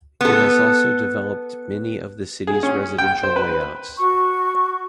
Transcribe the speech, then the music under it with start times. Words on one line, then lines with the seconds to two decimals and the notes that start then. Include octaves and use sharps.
It has also developed many of the city's residential layouts.
0.21 B3 A4
2.47 G#4
2.63 C#4
2.98 G5
3.23 C5
3.36 B4
3.98 F#4 C#6